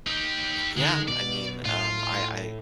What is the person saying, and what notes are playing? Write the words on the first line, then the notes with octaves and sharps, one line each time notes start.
Yeah, I mean, um, I I
D#4 G4
D3 D#3 G#3
B2 D5
A2 F4